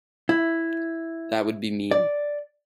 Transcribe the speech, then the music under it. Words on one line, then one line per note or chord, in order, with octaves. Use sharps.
That would be mean.
E4
D5